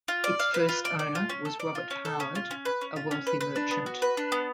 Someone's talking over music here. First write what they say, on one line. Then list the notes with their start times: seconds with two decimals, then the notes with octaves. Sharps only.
Its first owner was Robert Howard, a wealthy merchant.
0.08 F4
0.24 D5
0.39 F5
0.54 B4
0.69 F4
0.85 D5
0.99 D5
1.15 F4
1.29 C#4
1.45 A4
1.60 D5
1.75 F4
1.91 C#4
2.05 A4
2.20 C#4
2.35 F4
2.51 C#4
2.65 B4
2.81 C#4
2.96 F4
3.11 C#4
3.27 B4
3.41 B4
3.56 D4
3.71 B3
3.86 F#4
4.02 B4
4.17 D4
4.32 B3